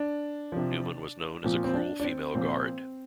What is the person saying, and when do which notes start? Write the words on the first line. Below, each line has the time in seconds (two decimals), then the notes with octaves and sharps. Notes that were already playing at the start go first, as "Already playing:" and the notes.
Neumann was known as a cruel female guard.
Already playing: D4
0.52 C3 F3
1.44 A#2 F3 C4
1.64 C4
1.74 D4
2.00 D4
2.04 C4
2.35 A#2 F3 C4